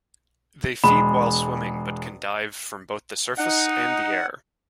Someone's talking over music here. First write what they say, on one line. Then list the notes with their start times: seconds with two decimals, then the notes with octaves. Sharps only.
They feed while swimming but can dive from both the surface and the air.
0.84 E1 G#3 B5
3.38 D#4 F#5